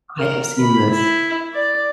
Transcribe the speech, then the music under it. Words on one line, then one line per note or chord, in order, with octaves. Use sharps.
I have seen this.
A#4
B5
E4
D5